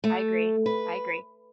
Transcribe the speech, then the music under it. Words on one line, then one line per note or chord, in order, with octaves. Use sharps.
I agree, I agree.
A3
B4